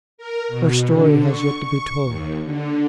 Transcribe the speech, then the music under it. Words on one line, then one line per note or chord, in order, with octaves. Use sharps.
Her story has yet to be told.
A#4
B2
D3
C#6
C#6
D#2
D3